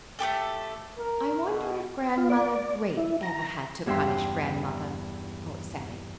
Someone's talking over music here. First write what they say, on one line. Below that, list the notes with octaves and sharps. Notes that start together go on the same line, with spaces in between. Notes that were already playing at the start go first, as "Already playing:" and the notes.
"I wonder if Grandmother Great ever had to punish grandmother," thought Sallie.
A3 B3 G4 A4
A#4
B2
F4
D5
E4
A#5
E2 G2 E5 G5 C6